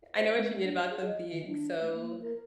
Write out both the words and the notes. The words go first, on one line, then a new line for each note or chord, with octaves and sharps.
I know what you mean about them being so
C5
G#3
D4
F#4
G#4
D#5
D#3
D4
A3
A#3
A#4